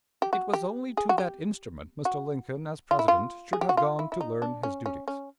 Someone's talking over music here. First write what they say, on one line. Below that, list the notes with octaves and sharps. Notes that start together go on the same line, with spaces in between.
It was only to that instrument Mr. Lincoln as President should have gone to learn his duties.
G4
F#4
G4
G#4
F#4
G4
F#4
F4
E4
F4
G#4
G4
F#4
F4
E4
E4
D#4
D4
C#4
C#4
C#4